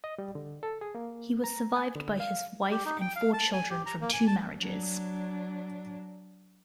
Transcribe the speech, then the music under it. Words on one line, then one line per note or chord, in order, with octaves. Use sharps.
He was survived by his wife and four children from two marriages.
D#5
G3
D3
A4
G#4
A#3
A#5
G#5
D3
F5
G4
D#4
G5
F5
A5
G#5
G4
A#5
A#3
G#5
A5
F#3 D4